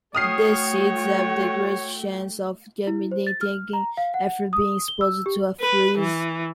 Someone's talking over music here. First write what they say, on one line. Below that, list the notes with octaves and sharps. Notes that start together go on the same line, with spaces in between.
The seeds have the greatest chance of germinating after being exposed to a freeze.
A3 F#4 C#5 G5 D#6 F6 C7
E4
C5
A6
F6
A#5
F5
F#5
D#6
G7
E6
G4
B4
E3